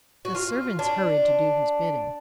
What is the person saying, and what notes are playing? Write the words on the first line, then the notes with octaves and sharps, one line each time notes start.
The servants hurried to do his bidding.
F#4
F4
D4